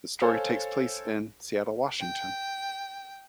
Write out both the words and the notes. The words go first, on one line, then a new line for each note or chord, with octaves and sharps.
The story takes place in Seattle, Washington.
A4 C5 C#5 F5 G#5
G5